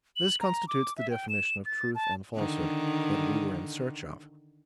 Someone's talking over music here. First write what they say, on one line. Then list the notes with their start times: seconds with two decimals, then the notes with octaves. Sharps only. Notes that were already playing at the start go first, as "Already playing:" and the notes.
This constitutes the definition of truth and falsehood that we were in search of.
0.16 F#7
0.40 A#5
0.68 D6
0.97 E5
1.10 G5
1.29 E7
1.66 A6
1.95 A5
2.36 D3 D#3